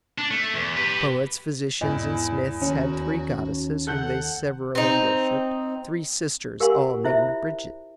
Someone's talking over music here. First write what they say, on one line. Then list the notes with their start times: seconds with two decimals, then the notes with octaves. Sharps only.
Poets, physicians, and smiths had three goddesses whom they severally worshipped, three sisters, all named Brigit.
0.18 D4
0.31 A3
0.54 E2
0.76 G4 B4
1.81 E2 G#2 E4 D5 D#5
2.62 D#2 C#4 F#4
3.87 A4 F#5 F#6 G6
4.75 C4 D#4
6.60 G4 A#4 F5 F#5 G#5 C6
7.04 E4 F4 C5 E5